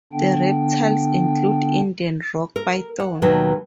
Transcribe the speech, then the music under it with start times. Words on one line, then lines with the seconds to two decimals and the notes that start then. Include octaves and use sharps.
The reptiles include Indian rock python.
0.13 D3 B3 D4 G5
2.56 A#4
3.00 F#5
3.22 D#2 B2 D#3 F#3 B4